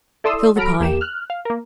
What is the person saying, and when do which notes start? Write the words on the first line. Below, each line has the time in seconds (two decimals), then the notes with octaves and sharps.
Fill the pie.
0.24 E4 A4 D5 C6 D#6 E6
0.56 F#3 A4 A#5 B5 F6 D7
0.80 E2 A#3 G4 E7
1.01 F6 F#6
1.30 F5
1.45 A#3 A#4